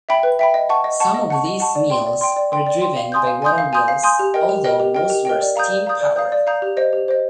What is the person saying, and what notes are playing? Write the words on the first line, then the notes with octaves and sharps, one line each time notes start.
Some of these mills were driven by waterwheels, although most were steam powered.
E5 G5 B5
B4
E5 G5 B5
D#5
F#5 A5 C#6
D#5
F#5 A5 C#6
D#5
F#5 A5 C#6
D#5
F#5 A5 C#6
D5
G5 C6
D5
G5 C6
D5
G5 C6
D5
G5 C6
F5
G#5 C6 D#6 G6
F5
G#5 C6 D#6 G6
F5
G#5 C6 D#6 G6
F5
G#5 C6 D#6 G6
G4
A#4 D#5 G5
G4
A#4 D#5 G5
G4
A#4 D#5 G5
G4
A#4 D#5 G5
D5
F5 A#5 D#6 G6
D5
F5 A#5 D#6 G6
D5
F5 A#5 D#6 G6
D5
F5 A#5 D#6 G6
G4
C5 D#5
G4
C5 D#5